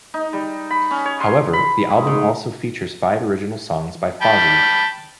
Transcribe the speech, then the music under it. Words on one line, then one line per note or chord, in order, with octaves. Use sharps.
However, the album also features five original songs by Fozzy.
D#4
G3
B5
C#4
C#5
C6
B5
G#2
A2
G5 A5 B5